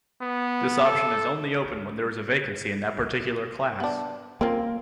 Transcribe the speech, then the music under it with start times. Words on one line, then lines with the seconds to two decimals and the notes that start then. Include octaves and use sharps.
This option is only open when there is a vacancy in that particular class.
0.21 B3
0.84 A4
3.80 B3 D4
4.41 A#3 C4 C#4 F4